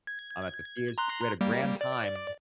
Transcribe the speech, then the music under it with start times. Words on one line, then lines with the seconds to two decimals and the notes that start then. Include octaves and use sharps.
I'm at the theaters, we had a grand time.
0.07 G#6
0.98 A#5 C6 F#6
1.41 G3 A#3
1.81 D5